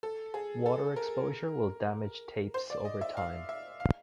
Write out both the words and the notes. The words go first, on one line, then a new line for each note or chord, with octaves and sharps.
Water exposure will damage tapes over time.
A4
G#4
A4
A#4
C5
D5
D#5
E5
F5
E5
F5